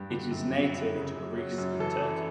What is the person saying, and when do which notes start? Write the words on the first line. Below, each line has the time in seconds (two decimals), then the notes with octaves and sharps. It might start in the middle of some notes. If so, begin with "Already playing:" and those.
It is native to Greece and Turkey.
Already playing: G2 G4
0.10 D3
0.31 F#2
0.53 F#3
0.75 F#2
0.95 C#3
1.16 F#2
1.38 F#3
1.58 F#2
1.79 E3 A4
2.01 E3